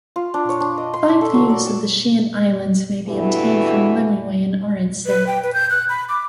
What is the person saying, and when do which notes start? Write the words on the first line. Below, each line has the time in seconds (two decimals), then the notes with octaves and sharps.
Fine views of the Shiant Islands may be obtained from Lemreway and Orinsay.
0.16 F4
0.34 D4
0.49 C#5
0.60 D4
0.78 D#5
0.94 C6
1.09 D4
1.21 A4
1.34 F#3
1.49 D5
1.67 A5
3.07 G2 E3 A3 B3 E4 F#4
5.06 B4
5.27 G5
5.43 B4
5.54 G6
5.70 F#6
5.89 B5
6.09 D6